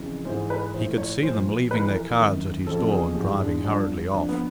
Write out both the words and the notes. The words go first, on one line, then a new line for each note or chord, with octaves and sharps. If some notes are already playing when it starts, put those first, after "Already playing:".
He could see them leaving their cards at his door and driving hurriedly off.
Already playing: F2 C#3 E3
G#2 E3 C5
B4
A2 F3 C5
C#5
A#2 F3 C5
F2 C3 E3 B4
A#4
F#2 D#3
F2 C#3 F3 A4
G#4
G#2 G4
E3
D4
G2 D3 F3 D4
F2 D3 F3 D4
B3